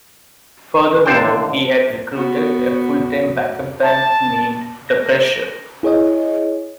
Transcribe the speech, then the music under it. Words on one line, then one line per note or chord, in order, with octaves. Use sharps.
Furthermore, he had recruited a full-time backup band, named The Pressure.
A1 D#2 D3 A4 C5 G5
B3 F#4
A5
A#6
E4 G#4 C#5 D#5